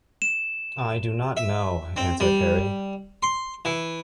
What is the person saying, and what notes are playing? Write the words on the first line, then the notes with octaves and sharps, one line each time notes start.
"I do not know," answered Harry.
E7
E5
C4
G3
C6
E3